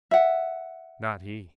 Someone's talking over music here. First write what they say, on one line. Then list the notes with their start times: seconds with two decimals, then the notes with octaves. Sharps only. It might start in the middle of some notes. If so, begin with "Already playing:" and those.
Not he.
0.11 E5 F#5